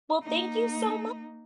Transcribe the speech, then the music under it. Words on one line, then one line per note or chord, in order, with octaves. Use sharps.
Well, thank you so
A#3 D#4